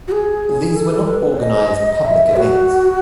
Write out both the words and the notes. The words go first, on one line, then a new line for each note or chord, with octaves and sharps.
These were not organized public events.
F#4
G#4
A4
B4
D#5
E5
F#4